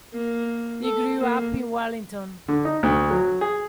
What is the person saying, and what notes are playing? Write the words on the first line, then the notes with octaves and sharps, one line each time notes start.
He grew up in Wellington.
A#3
A4
A#3
D3
D#4
D2
F#3
G#4